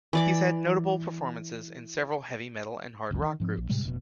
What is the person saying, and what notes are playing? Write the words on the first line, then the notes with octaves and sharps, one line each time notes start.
He's had notable performances in several heavy metal and hard rock groups.
E3 D5 D6
F#1 C#2 F#2
D#3
G#2 F3 C4
A#1
A2 C3 G3 G#3
F1 B2